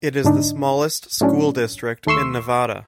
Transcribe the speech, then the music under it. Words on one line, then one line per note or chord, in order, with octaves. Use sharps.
It is the smallest school district in Nevada.
G#2 D3 D4 D#4
A2 F#3 C#4 D4
D#2 A3 C6 C#6 E6